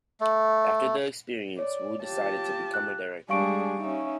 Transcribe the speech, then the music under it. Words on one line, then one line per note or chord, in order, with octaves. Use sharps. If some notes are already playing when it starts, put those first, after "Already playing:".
After the experience, Wu decided to become a director.
A3
C#5 D5
F4 G4 A5
F#6
G3 G#3 D4 G#4 F5 C#6 D7
C#4 D#4 E5